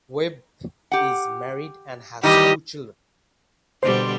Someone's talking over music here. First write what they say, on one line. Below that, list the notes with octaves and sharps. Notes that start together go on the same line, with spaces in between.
Webb is married and has two children.
G4 F#5
D#3 E3 G3 G4 D#5
B2 D3 G3 C5